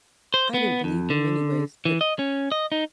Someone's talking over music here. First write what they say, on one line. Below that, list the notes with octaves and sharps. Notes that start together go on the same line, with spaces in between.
"I didn't believe him anyways, but
C5
B3
F2
D3
E3
D#5
C#4
D#5
D#4